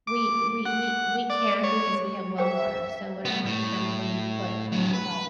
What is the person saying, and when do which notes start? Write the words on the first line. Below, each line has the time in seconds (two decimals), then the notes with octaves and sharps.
We we we we can't because we have well water, so whatever chemical you put on top
0.07 D6
0.66 F#5
1.30 D5
1.63 C#5
2.38 G#4 C5 E5 G5
3.25 A3 B3
3.46 A2
4.72 D3 F#3
4.93 B4